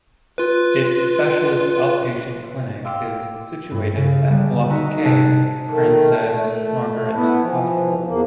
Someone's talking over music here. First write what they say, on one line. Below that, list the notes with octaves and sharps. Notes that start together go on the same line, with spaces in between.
Its specialist outpatient clinic is situated at Block K, Princess Margaret Hospital.
F4 B4
F5 G5 C6 D6 E6
G2
C#3
D3 G3 G#3
D#4 F#4 D#5 E5 A#5
C3 A5 F#6 G#6 A#6
D#3 A3
A3
B3 E4
E3 F3
E2 A#3